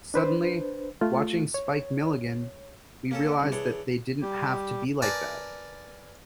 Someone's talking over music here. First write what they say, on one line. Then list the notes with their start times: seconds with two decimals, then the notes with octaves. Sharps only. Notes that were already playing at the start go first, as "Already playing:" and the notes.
Suddenly, watching Spike Milligan, we realized that they didn't have to be like that.
0.14 D4 B4 C5
1.01 A3 F4
1.54 C#5
3.11 A#3 C#4 A4
3.40 C2 C#4
3.52 E3 D4 G#4 C#5
4.22 G3 G4
5.02 A#4 B4 D5 G#5 A5